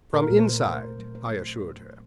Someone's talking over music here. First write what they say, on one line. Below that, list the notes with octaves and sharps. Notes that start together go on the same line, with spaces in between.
"From inside," I assured her.
A#2 A#4
A#2
C5
A3
A#2
A#2
F#3
A3 C5